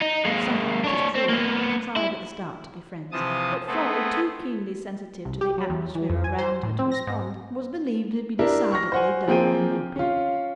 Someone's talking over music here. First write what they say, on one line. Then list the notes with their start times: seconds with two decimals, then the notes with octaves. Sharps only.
Some, it is true, tried at the start to be friends, but Florrie, too keenly sensitive to the atmosphere around her to respond, was believed to be decidedly dull and mopy.
0.02 D#4
0.26 G#3 A#3
0.84 D4 C#5
1.15 C4
1.29 A#3 B3
1.96 E4
3.12 C3 E3 F3 A5 D#6
3.67 A3 B3 C4 G#4 A4
5.25 C2
5.41 G4
5.58 F#3
5.70 E2
5.95 E3
6.10 F2
6.24 G#5
6.38 C5
6.63 A2
6.79 C4
6.92 A#6
7.07 G#2
8.39 D4 E4 G4 A#4
8.72 C#6 F6 A#6
8.92 C5 F#5 G#5
9.28 F3 A#3 C4 G#4 G5 D#7
9.96 C#4 F4